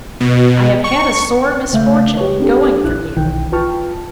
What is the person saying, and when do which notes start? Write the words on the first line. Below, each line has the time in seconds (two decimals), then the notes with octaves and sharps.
'I have had a sore misfortune in going from you.
0.20 B2
0.84 C#6
1.73 C#3 A3 E5 F5 G6
2.17 G4 B4 C#5
2.40 C4 D4 G4 A4
2.84 A#1 E4 F#6
3.17 B1 D#3 E3 G5
3.52 F4 B4 G5 A5 C#6 F6